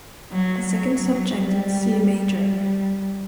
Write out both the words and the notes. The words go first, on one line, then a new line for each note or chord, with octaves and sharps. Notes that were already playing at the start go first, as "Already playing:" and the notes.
The second subject in C major.
F#3
F#3
G3
G3